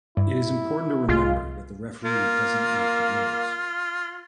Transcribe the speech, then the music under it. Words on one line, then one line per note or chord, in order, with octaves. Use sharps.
It is important to remember that the referee doesn't make the rules.
G2 E4
C2 G#3 F4
A#3 F4